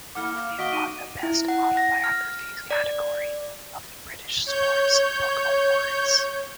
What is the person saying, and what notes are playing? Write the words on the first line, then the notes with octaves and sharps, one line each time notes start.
It won the Best Autobiography category of the British Sports Book Awards.
A#3 E4 A4 F#5 D6 F6
F5
D#3 A#3 F#4 D#5 B6 D7 G7
D#4 D6 D#7
E4
F#5
A#6
F6
D5
C#5 G6